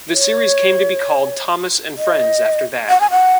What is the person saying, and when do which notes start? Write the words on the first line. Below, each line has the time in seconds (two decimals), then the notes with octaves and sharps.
The series came to be called Thomas and Friends after that.
0.12 C#5
1.97 D#5
2.89 F#5
3.01 G#5
3.11 F#5